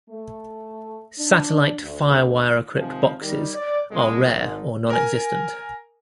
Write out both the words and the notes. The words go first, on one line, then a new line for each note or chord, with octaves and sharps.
Satellite FireWire-equipped boxes are rare or nonexistent.
A3
D4
D2
C3 D#3 F3 G#3
D#3 G3
D5
C2 A#2 D3 G#3
G#1 G#2
A#4 G#5